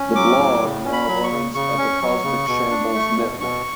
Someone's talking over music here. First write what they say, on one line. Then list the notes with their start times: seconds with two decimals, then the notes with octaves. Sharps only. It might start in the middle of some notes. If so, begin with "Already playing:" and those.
The blog now runs at the Cosmic Shambles network.
Already playing: C#4
0.15 F#3 D6
0.38 A2
0.62 C#3
0.85 C#4
0.93 B5
1.08 F#3
1.24 C#6
1.31 C#3
1.55 C#3 C#6
1.78 C#4
2.01 F#3
2.24 C#3
2.48 B2
2.71 D4
2.94 A3
3.18 B2
3.41 B2 C#6